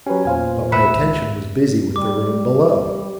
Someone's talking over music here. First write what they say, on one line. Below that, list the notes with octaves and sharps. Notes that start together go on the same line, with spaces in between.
But my attention was busy with the room below.
F#3 C#4 G4 B4
E2 A#2 C5 F5 G#5
B4 E5 F#5
C#2
G3 D6